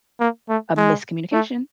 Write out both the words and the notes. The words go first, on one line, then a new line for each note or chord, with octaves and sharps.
a miscommunication
A#3
A3
G#3
A3